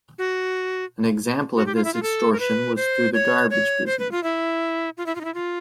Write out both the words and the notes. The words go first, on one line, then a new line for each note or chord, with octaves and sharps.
An example of this extortion was through the garbage business.
F#4
F#4
G4
F4
E4
F4
A4
A#4
B4
C5
C#5
C#5
C5
B4
F4
E4
F4
E4
F4
D#4
E4
F4